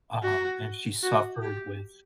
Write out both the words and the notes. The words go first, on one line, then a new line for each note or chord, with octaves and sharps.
um, and she suffered with
F#4
F#4
G4